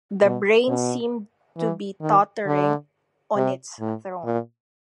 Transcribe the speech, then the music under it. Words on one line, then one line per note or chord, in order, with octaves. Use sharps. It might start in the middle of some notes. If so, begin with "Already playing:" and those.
The brain seemed to be tottering on its throne.
B2
B2
E3
D#3
D3
C3
A2
A#2